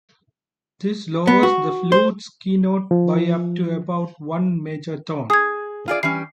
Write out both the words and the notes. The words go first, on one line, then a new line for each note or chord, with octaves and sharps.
This lowers the flute's keynote by up to about one major tone.
B3
F#4
C5
F3
G#4 D#6 G#6
F4 G#4 D5
E3 G3 C#4 C7